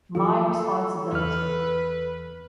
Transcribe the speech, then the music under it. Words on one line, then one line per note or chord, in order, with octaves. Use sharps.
My Responsibility!
F3 F#3 F4 A4
E2 B4 F6